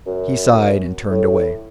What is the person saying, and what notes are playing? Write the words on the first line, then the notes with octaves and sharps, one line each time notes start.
He sighed and turned away.
F#2
A2